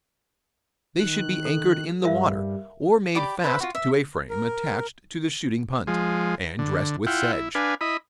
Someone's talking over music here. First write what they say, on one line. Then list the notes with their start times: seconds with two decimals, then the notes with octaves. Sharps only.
They should be anchored in the water, or made fast to a frame attached to the shooting-punt, and dressed with sedge.
0.99 D#3 F#6
1.45 A4
2.03 G2 G3 A#4 E5 F5
3.15 G4 D5 B5 D6
3.44 B4 C5 E5
3.60 F4 F#4
3.75 E5
4.29 A#4
5.87 F3 G#3
6.59 D3
7.07 E4 F4 F#5 G5
7.33 E4
7.55 D4 B4 F5 G#5
7.81 E4 D#5 B5